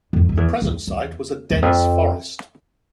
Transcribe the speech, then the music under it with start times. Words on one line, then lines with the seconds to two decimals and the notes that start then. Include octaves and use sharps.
The present site was a dense forest.
0.13 F2
0.29 F2
0.37 E2
0.62 E2
0.87 E2
1.50 E2
1.62 F2